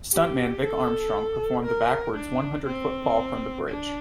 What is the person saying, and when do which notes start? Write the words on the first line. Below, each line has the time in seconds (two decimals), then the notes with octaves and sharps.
Stuntman Vic Armstrong performed the backwards one-hundred-foot fall from the bridge.
0.13 G4
0.63 A4
1.65 A#4
2.17 D4
2.66 C4
3.69 D4